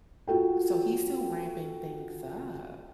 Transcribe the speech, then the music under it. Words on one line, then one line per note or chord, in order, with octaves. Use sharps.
So, he's still ramping things up.
F4 F#4 A4 G5